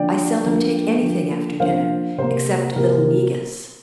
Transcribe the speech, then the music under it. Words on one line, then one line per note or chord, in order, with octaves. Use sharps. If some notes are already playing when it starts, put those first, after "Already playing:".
"I seldom take anything after dinner, except a little negus."
Already playing: D3 F3 A#3 D5 G5
D3 F3 A#3
D3 F3 A#3
D3 F3 A#3 C5 F5
C3 A#3 C5
C3 A#3 A#4